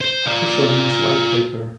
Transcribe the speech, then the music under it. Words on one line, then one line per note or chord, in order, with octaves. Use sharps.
"Hakusho" means "white paper".
C5
F4 D5